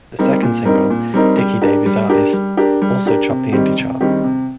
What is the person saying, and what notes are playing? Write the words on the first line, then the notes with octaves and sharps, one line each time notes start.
The second single, "Dickie Davies Eyes", also topped the indie chart.
G3 C4 D#4 A#4
A#2
G3 C4 D#4 A#4
A#2
G3 C4 D#4 A#4
G3
D4 G4 A#4
G3
D4 G4 A#4
G3
D4 G4 A#4
G3
D4 G4 A#4
C3
D#3 G3 C4 G4
C3
D#3 G3 C4 G4
C3